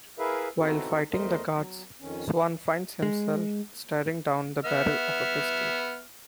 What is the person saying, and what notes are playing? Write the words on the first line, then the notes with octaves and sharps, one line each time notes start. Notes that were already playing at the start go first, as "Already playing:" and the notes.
While fighting the guards, Swan finds himself staring down the barrel of a pistol.
E4 G#4 A#4 B4 E5 F5
B3 C4 D#4 E4 F#4 A4
E2 A3 A#4 C5 D#5
F#3
F2 D#3 C#4
G#3
B3 E5 F6